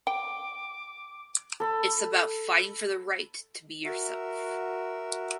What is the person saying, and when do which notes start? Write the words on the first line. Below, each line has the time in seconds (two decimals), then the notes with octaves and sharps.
It’s about fighting for the right to be yourself.
0.07 G5 D6
1.60 A4 B5
3.85 F#4 A#4 E5